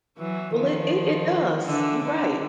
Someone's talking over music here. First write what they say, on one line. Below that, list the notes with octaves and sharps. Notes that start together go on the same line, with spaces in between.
Well, it it does, you're right.
E3 F#3
D#3 F3
D3 E3
D3